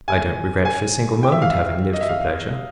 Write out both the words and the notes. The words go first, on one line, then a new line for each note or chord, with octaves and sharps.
I don't regret for a single moment having lived for pleasure.
G#5
G#5
G5
E5
F5
E5
D#5
E5
F5